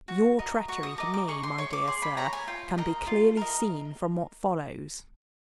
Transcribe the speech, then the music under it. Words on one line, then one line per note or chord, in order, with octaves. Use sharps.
Your treachery to me, my dear sir, can be clearly seen from what follows.
F#4
A#4 D#5
F#4 C#6
D#6
A#4 D#5 D6
D6
G#4 C#6
C6
C#5 C#6
D6
G#4 C6
B5
C#5 A#5
G#5
F4 G5
A#4 D#5
F4
A#4 D#5